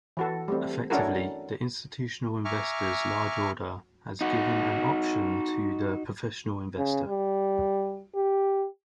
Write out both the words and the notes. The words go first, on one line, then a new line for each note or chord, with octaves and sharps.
Effectively, the institutional investor's large order has given an option to the professional investor.
E3 F#4 A4
G3 A3 C4
C#4 D4 E4 F#4 A4 A#4
E5 G#5 A#5 C#6 D6 F6
D#4 F#4
C#3
G3
G4